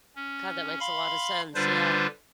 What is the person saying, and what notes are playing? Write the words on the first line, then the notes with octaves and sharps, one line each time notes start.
God, that makes a lottta sense, yeah.
C#4
F5 B5 C6
D3 G3 D4 F4 B4 C5